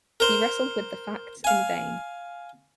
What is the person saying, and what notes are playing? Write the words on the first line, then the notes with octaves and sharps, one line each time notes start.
He wrestled with the facts in vain.
A#4 C5
F5 G#5